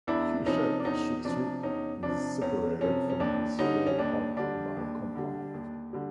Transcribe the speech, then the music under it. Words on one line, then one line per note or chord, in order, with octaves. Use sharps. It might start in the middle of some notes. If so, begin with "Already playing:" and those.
Huchette street is separated from this forecourt by a compound.
E2 D4 E4
C3 F3 C#4 D#4
D4
E2 C#4 D#4
C3 F3 D4
E2 C#4 D#4
C3 F3 D4
E2 C#4
C3 F3 C#4
C#4
D#2 D4
D3 G3 C#4 D#4
C#4
D#2 D4
D3 G3 D4
D#2
D3 G3
D#2
D3 G3